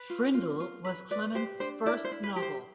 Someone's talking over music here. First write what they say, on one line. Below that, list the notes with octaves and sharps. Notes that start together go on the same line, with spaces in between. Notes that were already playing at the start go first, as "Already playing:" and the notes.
"Frindle" was Clements's first novel.
Already playing: B4
F4
F4
F4
B4
B4 D5
G4 C5
D4 C5
E4 D5
C5
E4
B4
G4
C5